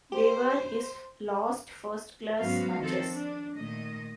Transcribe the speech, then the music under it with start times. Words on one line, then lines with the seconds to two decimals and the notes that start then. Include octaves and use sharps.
They were his last first-class matches.
0.12 G4 C5
2.39 G#2 F#3 B3 C#4 F#4 F5
2.78 D#3 F3 C4 D#4 A4
3.09 D4
3.56 A#2 D#3 A3 D#5